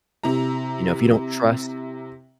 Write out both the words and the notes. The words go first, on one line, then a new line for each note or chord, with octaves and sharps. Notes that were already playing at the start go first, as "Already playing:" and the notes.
you know, if you don't trust,
C3 E4 A#5